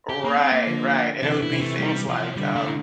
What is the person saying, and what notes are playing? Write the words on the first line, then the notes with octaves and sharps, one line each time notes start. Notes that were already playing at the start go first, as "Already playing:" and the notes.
Right, right, and it would be things like, um,
G4
A#3
C4
A#3
D3 F3
C3 E3 D4
E4
C3 E3
A3
G3
F3
D3 G3
A3